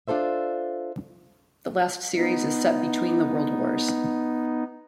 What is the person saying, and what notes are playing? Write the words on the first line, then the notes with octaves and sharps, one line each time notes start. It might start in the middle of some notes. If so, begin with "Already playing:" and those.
The last series is set between the world wars.
D4 F4 A4 C5 E5
B3 D#4